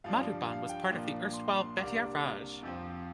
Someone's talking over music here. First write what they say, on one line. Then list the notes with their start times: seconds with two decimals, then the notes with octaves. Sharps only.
Madhuban was part of the erstwhile 'Bettiah Raj'.
0.04 G2 F3 D4 F5
0.48 F5
0.69 G5
0.91 A#2 F3 A#3 D4
1.34 C6
1.49 C6
1.63 C6
1.77 C2 C3 A#3 D4 D6
2.63 F2 F3 C4